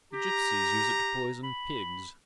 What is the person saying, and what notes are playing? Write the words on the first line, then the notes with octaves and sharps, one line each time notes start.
"The gipsies use it to poison pigs."
G4 A#5
B5